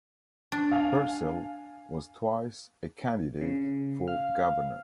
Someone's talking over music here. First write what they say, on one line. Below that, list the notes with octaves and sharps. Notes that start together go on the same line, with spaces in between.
Purcell was twice a candidate for governor.
D4
F5 G#5 F7
C#3
F5 F6